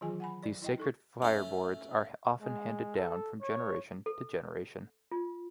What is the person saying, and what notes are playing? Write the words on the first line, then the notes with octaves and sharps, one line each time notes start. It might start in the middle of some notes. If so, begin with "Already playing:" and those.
These sacred fireboards are often handed down from generation to generation.
D#3 E3 F#3 F4 G#4 G#5
F#5 G#5 B5
D5
E4 D#5 G5
D#4 A4 C#6
A3 C#4
G#3
A4
C#5
A4
F4